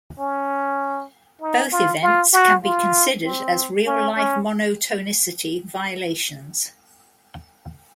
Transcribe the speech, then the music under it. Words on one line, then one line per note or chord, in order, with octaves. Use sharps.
Both events can be considered as real-life monotonicity violations.
C#4
D#4
F4
F4
F#4
F4
C4
C#4
C#4